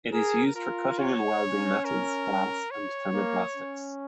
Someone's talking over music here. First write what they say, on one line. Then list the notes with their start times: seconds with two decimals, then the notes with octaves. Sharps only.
It is used for cutting and welding, metals, glass, and thermoplastics.
0.13 G#4 A#4
0.56 F4 A#4
0.98 C#5
1.42 C#4
1.85 A#4
2.71 C#5
3.13 A#3
3.57 C#4